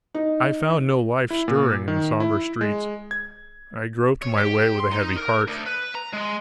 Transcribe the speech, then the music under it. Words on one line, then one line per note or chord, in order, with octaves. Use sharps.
I found no life stirring in the somber streets. I groped my way with a heavy heart.
D#4
E4
A#2
D#3
E4
G#3
G#6
C#5
G4
C6
D#4
A#4
D2
B4
A#5
G#3